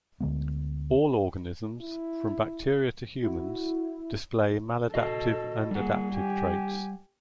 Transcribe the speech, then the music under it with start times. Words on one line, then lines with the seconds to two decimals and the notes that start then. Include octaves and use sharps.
All organisms, from bacteria to humans, display maladaptive and adaptive traits.
0.20 D2 D3 G#3 B3
1.81 E4
3.23 E4 F#4
4.94 F#4 A4 D#5
5.71 G3 A#3 G#4 F#5
6.13 G4 G#5